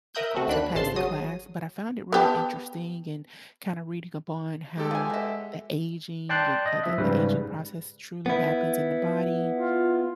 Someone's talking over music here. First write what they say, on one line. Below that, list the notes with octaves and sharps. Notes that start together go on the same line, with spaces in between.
of course, I passed the class, but I found it really interesting and kinda reading up on how the aging and, uh, the the aging process truly happens in the body,
A#4 E5 A#5 D#6 F#6 G6
A3 C4 F#4
D#2 D4 B5 F#6
G#1 C#3 A5 C6
F#3 F#4 D#6
B3 G4 A5
G#3 G4 A4
F4 G#5
B2 E5
D5 G5 A5 C6 F#6
D#5
F3 E5
G#2 C#3 G3 B4
B3 E4
F4